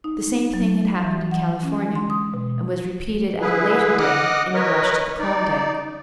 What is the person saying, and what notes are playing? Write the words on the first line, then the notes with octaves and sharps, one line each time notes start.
The same thing had happened in California, and was repeated at a later day in the rush to the Klondike.
D#4
F#3
E3
F#5
C#4
G#3
C6
D#6
B2
D3 E4 G#4 B4
D#5 F#5 D6 D#6 F6 F#6
A#4 B4 C#5 D#5
D#4 D5